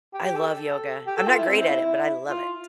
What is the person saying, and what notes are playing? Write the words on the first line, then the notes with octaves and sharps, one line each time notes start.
I love yoga. I'm not great at it, but I love it.
G4
G4
A4
G4
A4
F4
E4
C4
E4
E4
F4